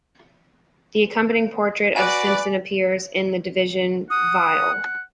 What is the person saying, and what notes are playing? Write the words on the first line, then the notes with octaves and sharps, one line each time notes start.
The accompanying portrait of Simpson appears in "The Division Viol".
F#4 B4 D5 G#5
F#5 D#6